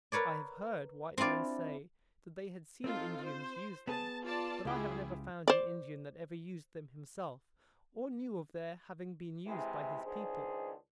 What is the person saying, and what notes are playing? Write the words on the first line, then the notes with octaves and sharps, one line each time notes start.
I have heard white men say that they had seen Indians use them; but I have never found an Indian that ever used them himself, or knew of their having been used by his people.
A#4 B4 C#5 D5
C4 D4 E4 F4 D5
C4 D#4 F4 A4
C5
B3 G#4 A5
F4 D5 A5
C#2 E4 F4 G4 G#4
C5 D5
C3 E3 G#3 E4
C#2 D#3 D4 G#4 C5